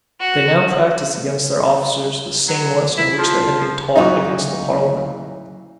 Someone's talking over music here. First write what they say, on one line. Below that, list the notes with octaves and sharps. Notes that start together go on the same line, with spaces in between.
They now practised against their officers the same lesson which they had been taught against the parliament.
F#4
F#3
E4
F3
F#2 A#2 E3 A#3 D#4 F4 F#4